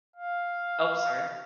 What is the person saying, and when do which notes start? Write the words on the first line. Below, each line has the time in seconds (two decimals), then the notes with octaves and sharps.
Ope, sorry.
0.16 F5